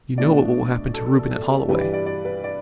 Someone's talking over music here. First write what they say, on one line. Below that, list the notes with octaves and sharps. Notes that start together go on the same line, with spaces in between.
You know what will happen to Reuben at Holloway.
B2 A3 D4 D5
A4
A4
A4
A4
G4
G2 E3 G3 B4
D5
D5
D5
B4
D5